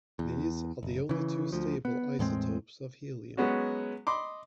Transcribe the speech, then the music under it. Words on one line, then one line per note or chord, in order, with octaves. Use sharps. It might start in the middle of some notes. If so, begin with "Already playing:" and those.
These are the only two stable isotopes of helium.
E2
F#1
C#3 E3
D2 F3
B3
E2 A2 G#3 C4
F#3 G#3 B3 C#4 F#4
D#5 B5 C6 D6